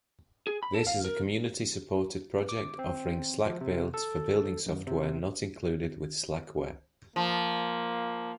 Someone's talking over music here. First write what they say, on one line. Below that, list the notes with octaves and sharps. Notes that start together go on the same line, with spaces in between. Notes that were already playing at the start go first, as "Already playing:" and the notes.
This is a community-supported project offering SlackBuilds for building software not included with Slackware.
G#4
B5
A4
F5
A#4
D6
C4
F3
C3
A4
F#2
C3
F3 A#3